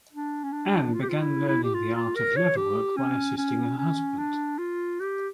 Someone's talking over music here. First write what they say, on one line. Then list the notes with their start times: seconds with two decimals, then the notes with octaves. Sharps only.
Ann began learning the art of leatherwork by assisting her husband.
0.12 D4
0.44 C#4
0.53 D4
0.94 F4
1.02 G4
1.09 F4
1.21 E4
1.48 E4
1.64 G4
1.74 F4
1.95 F4
2.16 A#4
2.36 C#5
2.56 G4
2.97 C#4
3.37 C#4
3.78 C#4
4.18 D4
4.58 F4
5.00 G4